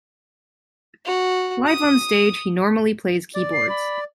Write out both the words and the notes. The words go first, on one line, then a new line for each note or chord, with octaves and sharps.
Live on stage, he normally plays keyboards.
F#4
D#6
D5
C7
B5